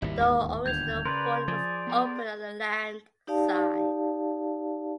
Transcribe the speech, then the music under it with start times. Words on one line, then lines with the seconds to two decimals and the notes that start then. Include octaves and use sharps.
The original fort was open on the land side.
0.02 G#1 D#2 G3 E4
0.19 D1 D#2 G#2
0.66 G2 D3 G6 G#6 F7
1.05 C#3 A#4 B4 D5 C6
1.48 F3 G#4 D5
1.87 B3 A#5
3.27 D#4 G4 D5 F5 A5